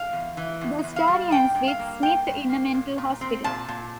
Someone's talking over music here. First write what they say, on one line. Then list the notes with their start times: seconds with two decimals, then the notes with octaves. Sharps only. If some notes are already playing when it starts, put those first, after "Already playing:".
The story ends with Smith in a mental hospital.
Already playing: F5
0.13 E2
0.37 E3
0.61 E2
0.84 E2
0.96 F5
1.08 G3
1.31 G2 G5
1.55 G2
1.68 F5
1.79 A#3
2.03 G2 G5
2.27 G2
2.49 A#3
2.74 A#2
2.98 A#2
3.21 C4
3.44 A#2 A5
3.68 A#2